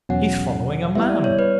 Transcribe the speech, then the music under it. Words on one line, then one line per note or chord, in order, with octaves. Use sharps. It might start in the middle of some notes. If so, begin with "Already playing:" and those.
"He's following a man!"
E2 B2 F#3 C#4 F#5
G3 B3 E4 E5
D5
C#5
B4